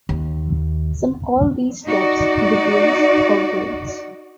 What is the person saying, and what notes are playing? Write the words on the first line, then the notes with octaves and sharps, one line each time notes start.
Some call these steps degrees or grades.
D#2
D#4 F#4 D5